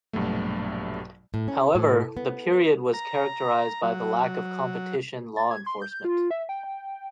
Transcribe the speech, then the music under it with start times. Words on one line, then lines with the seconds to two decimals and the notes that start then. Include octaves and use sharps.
However, the period was characterized by the lack of competition law enforcement.
0.13 A#1 G2 B2 F#3 A3
1.34 A2
1.48 C#4
1.75 A2
2.17 B3
2.94 A#5
3.83 F#3
5.37 A6
5.51 G#6
5.66 C6
5.82 G6
6.04 F4
6.31 E5
6.49 G5